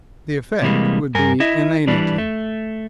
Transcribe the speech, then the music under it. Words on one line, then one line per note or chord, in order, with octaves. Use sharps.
The effect would be inanity.
C3 E3 G3 G#3 A#3
G2 A#4 G#5
E4 D#5 E5
E3 G3 D4
A3